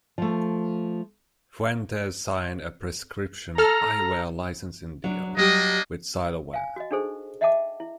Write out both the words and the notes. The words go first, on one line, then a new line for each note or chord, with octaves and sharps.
Fuentes signed a prescription-eye wear licensing deal with Zyloware.
F3 A3
A4 A#5 F6
F#3 D4
F#3 G3 A#3 D4 G4 D#5
F5 G#5
F#4 D#5
D4 D#4 G#4 A4 C5
D#5 E5 F#5 G5 A5 D6
E4